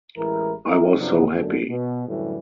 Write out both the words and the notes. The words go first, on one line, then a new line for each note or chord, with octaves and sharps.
I was so happy.
A1 E3 G#3 E4 A#4
E4 A#4
F#2 C3 F3 B3 D4 D#4
F#2 D3
B2
F#2 A2 D3 E3 G3